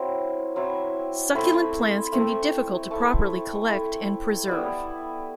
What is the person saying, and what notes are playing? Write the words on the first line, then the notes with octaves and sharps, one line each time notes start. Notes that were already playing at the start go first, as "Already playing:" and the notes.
Succulent plants can be difficult to properly collect and preserve.
Already playing: F#3 C4 E4
F#3 C4 E4
A3 C4 E4 B5
A3 C4 E4
A3 E4 A5
A3 E4
G3 B3 E4